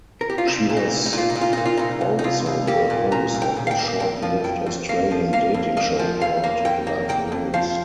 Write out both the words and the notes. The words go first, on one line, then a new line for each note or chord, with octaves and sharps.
She was also the host of a short-lived Australian dating show called "Love Rules".
A#4
G4
F4
C2 D#4
A#2
D#4
C2
D#4
A#2 F4
D#4
A#2
F4
A#3 D#4
F4
C2 D#4
C2
D#4
C2 F4
C2
A#3 G4
A#2
A#2 A#5
C2
G5
A#2
F5
G5
A#3
F2 G5
F3
F2 G5
F2
A#3 F5
F3
A#3 F5
F2
A#3 D#5
F3
F2 F5
A#3
F2 G5
A#3
A#3 G5
F2
F3 F5